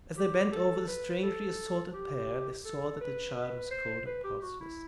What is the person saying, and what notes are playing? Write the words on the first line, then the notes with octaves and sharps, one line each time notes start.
As they bent over the strangely assorted pair, they saw that the child was cold and pulseless.
G4
A4
B4
A4
G4
A4
B4
B4
C5
B4
G4
F#4
E4